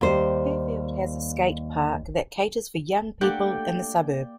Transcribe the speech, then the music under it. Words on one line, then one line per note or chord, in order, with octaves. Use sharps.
Fairfield has a Skate Park that caters for young people in the suburb.
D#2 G3 C5
A3 A#3 D4 G4 D5 F#5 G5